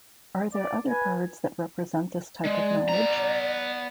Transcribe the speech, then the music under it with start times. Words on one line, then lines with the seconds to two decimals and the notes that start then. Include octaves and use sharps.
Are there other birds that represent this type of knowledge?
0.54 D5
0.89 B4 G#5
2.45 G#3 D5
2.89 B3 A#5